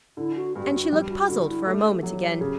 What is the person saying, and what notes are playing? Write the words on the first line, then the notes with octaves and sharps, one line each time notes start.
And she looked puzzled for a moment again.
D3 E4
F#4
G2
G4
F#4
G3 G4
F#4
D3 F#4
E4
A3 G4
F#3
C#3